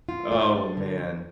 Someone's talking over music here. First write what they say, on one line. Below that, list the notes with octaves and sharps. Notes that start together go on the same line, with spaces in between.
Oh man.
F4
A3
D4
D3